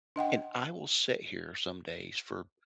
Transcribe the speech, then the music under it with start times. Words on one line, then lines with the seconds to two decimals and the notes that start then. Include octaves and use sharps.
and I will sit here some days, for
0.16 D4 D#5 F#5 G5